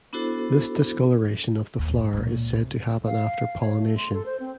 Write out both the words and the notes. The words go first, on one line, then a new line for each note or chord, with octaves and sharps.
This discoloration of the flower is said to happen after pollination.
B3 D4 E4 F#4 A4 C5
D#2
G2
C#2 A#2
C3
F5
C#5
A3
C6
A4
C5
C4